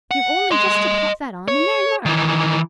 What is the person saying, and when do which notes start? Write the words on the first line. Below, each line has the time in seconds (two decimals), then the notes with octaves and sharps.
You've only just to pop that on, and there you are.
0.11 F#5
0.51 D#5 C6
1.48 C#5
2.06 D#3 E3